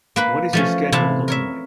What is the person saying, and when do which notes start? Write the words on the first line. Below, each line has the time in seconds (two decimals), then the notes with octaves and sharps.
What is your schedule looking like?
0.16 A#3 B4 B5
0.53 F3 A3 C#4
0.92 C3 E3 E4 F5 A5
1.28 A#4 C#5 E5